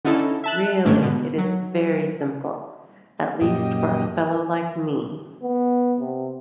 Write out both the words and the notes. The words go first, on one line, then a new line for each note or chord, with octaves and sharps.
Really it is very simple; at least for a fellow like me.
D3 C#4 D#4 E4 A4
E5 A5 F#6
G#2 D#3 G#3 A3 C#4 D4
B2 D3
F#3
F#2 A#2 G4 D#5
B3
C3